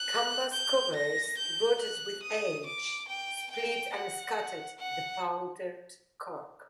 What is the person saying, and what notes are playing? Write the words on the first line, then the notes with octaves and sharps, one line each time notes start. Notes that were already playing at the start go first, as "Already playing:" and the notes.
Canvas covers, rotted with age, split and scattered the powdered cork.
Already playing: F#6
G6
A#6
G6
F#6
D#6
D6
G5
G5
F#5
F#5